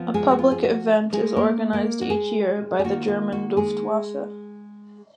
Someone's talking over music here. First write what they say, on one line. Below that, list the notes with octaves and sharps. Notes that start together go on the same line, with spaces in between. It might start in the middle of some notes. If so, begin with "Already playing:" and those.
A public event is organized each year by the German Luftwaffe.
Already playing: F3 B3 F4
G#3 G#4
F#4
F4
G#4
F#4
G#3 G#4
A#3 A#4
A#3 A#4
F#4
G#3 G#4
G#4
D#3 A#3 F4 F#4
F4
F#4
G#3 G#4